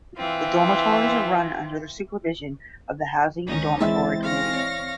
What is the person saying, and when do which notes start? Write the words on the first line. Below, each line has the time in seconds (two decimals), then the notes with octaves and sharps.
The dormitories are run under the supervision of the Housing and Dormitory Committee.
0.16 E3 C4 F4
3.47 C#2 D#3 C#4 D#4
3.80 E3 G#3 C4 E4 E5 A6
4.22 F5 C#6 A#6
4.52 C#5 D5